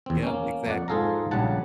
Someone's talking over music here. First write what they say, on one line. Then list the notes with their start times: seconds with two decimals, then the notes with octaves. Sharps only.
yep, exactly.
0.06 E2 C4
0.23 A#3 C#4
0.66 F2 D5 F#5
0.88 G#2 F4 G#4 A4 F5 A#5
1.31 A#1 C#3 G3 F#5 A5